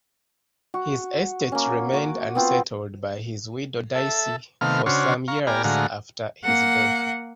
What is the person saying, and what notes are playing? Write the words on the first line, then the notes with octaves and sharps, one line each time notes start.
His estate remained unsettled by his widow Dicey for some years after his death.
F#4
A#3 C#4
F#4 D6
B3 C4 F4
A4 E5
C3 D#3 A3 B3 F5 F6
C#3 D4 F#4 C5 C#5 F6
F5 A#5 C#6
B3 G4 D5 G#5 A#5 F6
A2 D3 G#3 F#4 F5 A#5
A#3 F#5